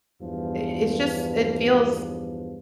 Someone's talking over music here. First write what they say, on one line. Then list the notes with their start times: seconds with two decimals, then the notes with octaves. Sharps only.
i i it's just it feels
0.20 E2 G2 F3